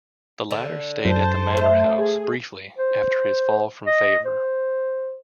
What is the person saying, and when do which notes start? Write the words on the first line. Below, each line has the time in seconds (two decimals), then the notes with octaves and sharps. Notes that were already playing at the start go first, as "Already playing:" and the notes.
The latter stayed at the Manor House briefly after his fall from favour.
0.51 D3
1.05 F#2 C5 A5
1.57 A3
1.95 G#4
2.78 C5
3.86 D#5
4.25 C5